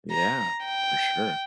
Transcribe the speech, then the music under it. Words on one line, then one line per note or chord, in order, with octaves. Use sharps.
Yeah. For sure.
A#5
G5